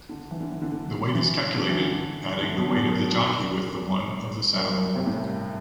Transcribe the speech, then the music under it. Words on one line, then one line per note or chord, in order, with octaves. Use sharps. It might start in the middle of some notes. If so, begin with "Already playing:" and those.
The weight is calculated adding the weight of the jockey with the one of the saddle.
D3
E3
D3
E3
D3
D3
E3
D3
E3
D3
D3
B2
E2
F#2
F#2
G2
F#2
G2
C3
A2
G2
G2